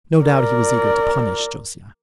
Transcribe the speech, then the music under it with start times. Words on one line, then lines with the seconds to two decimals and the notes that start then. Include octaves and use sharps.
No doubt he was eager to punish Josiana.
0.24 A#4 D5